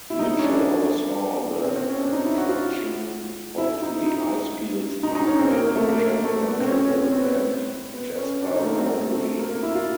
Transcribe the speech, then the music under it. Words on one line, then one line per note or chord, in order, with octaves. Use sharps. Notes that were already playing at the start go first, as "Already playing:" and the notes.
Mitchell oversaw the construction of the Icefields Parkway from Jasper to the Banff-Jasper boundary.
E4
D#4
C#4
D4
C4
C4
C#4
D4
D#4
E4
F#4
F4
E4
D#4
D#4
D#4
D#4
C#4
C4
A#3
A#3
A3
A#3
A#3
A3
B3
C4
C#4
C4
C#4
C4
B3
B3
C#4
D4
D#4
A3
A#3
C4
A3
A#3
A#3
E4
F4